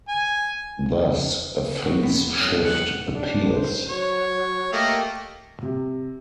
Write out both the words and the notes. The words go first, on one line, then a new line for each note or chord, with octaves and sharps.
Thus, a phase-shift appears.
G#5
F#4
B3 C4
F#3 A4 D#5
G3 F#6 C#7 F#7
D4
C5
F#3 C#5
A3 A#3 G4 D#5
C3